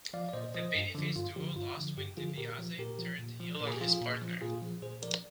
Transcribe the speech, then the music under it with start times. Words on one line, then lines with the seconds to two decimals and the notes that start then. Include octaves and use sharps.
The babyface duo lost when DiBiase turned heel on his partner.
0.14 F3 D5 F5
0.29 D5
0.33 A#2 C5 D#5
0.54 F3 C5 D#5
0.75 G2
0.95 D3 F3
1.15 G2 F4
1.36 D3 F3 G4
1.56 G2 F4
1.77 D3 F3
1.97 G2 G4
2.17 D3 F3 F4 G#4
2.38 A#2 G4 A#4
2.58 F3
2.78 A#2 G4 A#4
2.99 F3
3.19 A#2
3.40 F3
3.60 A#2 A#4
3.67 G#4
3.74 G4
3.81 F3 F4 G#4
4.01 A#2
4.22 F3
4.41 A#2 F4 G#4
4.62 F3
4.82 A#2 G#4 C5
5.02 F3 A#4 D5